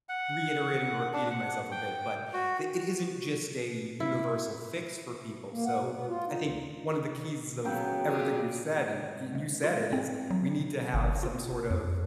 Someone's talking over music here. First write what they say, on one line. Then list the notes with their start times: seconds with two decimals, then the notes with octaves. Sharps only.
reiterating or repeating myself a bit, but the it isn't just a universal fix for people. So, I think one of the keys of everything we've said, and y you said it, is we need to have some sort of
0.09 F#5
1.13 D4
1.31 F#5
1.72 G5
2.33 F#4
4.00 E4
5.52 A#3
5.65 F#5
5.77 B2
5.93 B3
6.08 F4
6.28 D#4
6.44 D2
7.64 C#3 F#3 B3 G5
8.06 F4 G4 G#4
9.35 G#3
9.64 F4
9.93 C4
10.31 F#3
10.94 G1
11.23 F4
11.70 F2